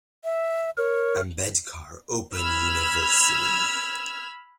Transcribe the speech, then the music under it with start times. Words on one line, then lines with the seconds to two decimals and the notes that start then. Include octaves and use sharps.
Ambedkar Open University.
0.24 E5
0.77 A#4 C#5
2.34 B5 E6 F6 G#6